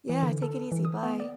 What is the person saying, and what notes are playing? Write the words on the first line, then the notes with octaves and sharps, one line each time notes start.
Yeah, take it easy, bye.
E3
D3
A4
E3
D#6
B3
D5